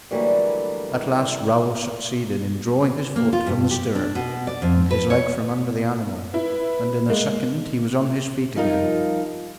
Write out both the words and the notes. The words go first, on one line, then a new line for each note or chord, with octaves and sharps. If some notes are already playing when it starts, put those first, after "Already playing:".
At last Raoul succeeded in drawing his foot from the stirrup and his leg from under the animal, and in a second he was on his feet again.
D3 E3 F#3 G3 A3 A#3
A#3
F4
G2
G4
D4
B2
D5
F2
B4
C#5
E4 B4
G#3 A#3
F3 G3 D#4 F4 A#4